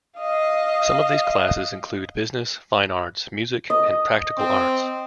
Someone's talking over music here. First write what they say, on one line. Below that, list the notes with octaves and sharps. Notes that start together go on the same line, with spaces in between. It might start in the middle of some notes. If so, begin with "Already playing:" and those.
Some of these classes include business, fine arts, music, and practical arts.
D#5 F5
D#5
C4